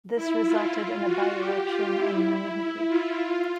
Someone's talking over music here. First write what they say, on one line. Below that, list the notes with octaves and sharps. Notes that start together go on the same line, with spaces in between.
This resulted in a by-election in Manihiki.
E4
F4
F#4
G4
F4
E4
E4
F4
F4